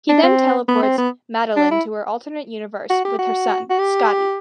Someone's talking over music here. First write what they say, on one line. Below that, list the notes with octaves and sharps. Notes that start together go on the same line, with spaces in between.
He then teleports Maydelyne to her alternate universe with her son, Scotty.
D4
C4
B3
C4
B3
D4
E4
F#4
G4
F#4
F#4
G4